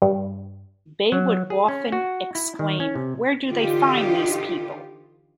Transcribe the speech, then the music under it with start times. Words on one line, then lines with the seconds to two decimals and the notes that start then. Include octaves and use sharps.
Bey would often exclaim Where do they find these people?!
0.02 G2
1.12 F#3
1.50 G#4
1.68 C#4
1.92 F#4
2.35 E4
2.59 D#3
2.80 C#4
2.96 C3
3.48 D3 E3 D#4 F4 G4